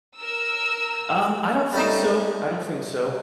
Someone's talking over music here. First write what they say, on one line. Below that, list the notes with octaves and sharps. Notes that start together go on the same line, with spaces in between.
um I don't think so, I don't think so.
A#4 E6
G3 A3 C#4 D#4